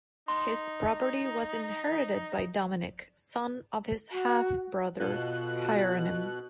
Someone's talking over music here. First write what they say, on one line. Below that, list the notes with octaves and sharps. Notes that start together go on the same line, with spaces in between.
His property was inherited by Dominik, son of his half-brother Hieronim.
D#4 C6
F#4
B2 F4 A4 F#6